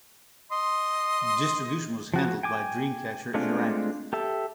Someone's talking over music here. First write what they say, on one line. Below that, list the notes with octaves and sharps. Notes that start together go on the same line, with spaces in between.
Distribution was handled by Dreamcatcher Interactive.
D#5 C6
F3 F#4
G5 G#5 D6
G#3 A3 C4 D4 F4
G4 A4 E5